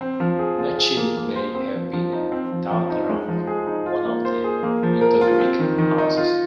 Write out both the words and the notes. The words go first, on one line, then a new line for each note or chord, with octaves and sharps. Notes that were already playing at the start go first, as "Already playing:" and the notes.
Machene may have been a daughter of one of the Indo-Greek houses.
C4
F3
G#4
F4
G#4
A#3
A#3
C5
C4
F3
F3
D#4
C4
F3
F3
D#4
G#3
F3
G#4
D#4
F4
A#3
C5
G#4
A#3
F3
A#4
F4
C4
D#3
D#3
D#4
F4